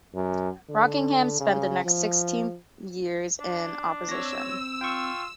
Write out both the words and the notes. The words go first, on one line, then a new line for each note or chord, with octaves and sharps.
Rockingham spent the next sixteen years in opposition.
F#2
D3
C#3
F3
D4
C4 C#5 E6 A#6
F4 G5 C#6